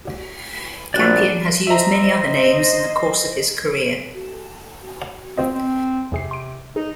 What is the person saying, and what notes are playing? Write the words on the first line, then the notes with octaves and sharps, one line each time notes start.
Campion has used many other names in the course of his career.
A#1 F#3 D5 F#6
C5 D#5 E5 A#5
C4 F4 C5 D#5
C4
E2 C3 G#4 C7
C6 D7
D#4 G#4